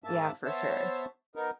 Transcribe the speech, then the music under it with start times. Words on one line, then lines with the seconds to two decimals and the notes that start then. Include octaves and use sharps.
Yeah, for sure,
0.04 G#2 A#3 E5 A5
0.45 B3 C5 C#5 E5 A5
1.36 B3 D#4 A#4